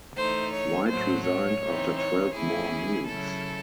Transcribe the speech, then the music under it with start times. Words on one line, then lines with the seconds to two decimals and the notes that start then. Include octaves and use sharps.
White resigned after twelve more moves.
0.16 E3 A3 D#4 C5
0.52 C#5
0.89 A2 F#3 A3 C5
1.25 C#5
1.61 E3 C4 D#4
1.97 C#5
2.34 E3 A3 C#4 E4 G#4
3.06 C#3 F#3 C#4 E4 A4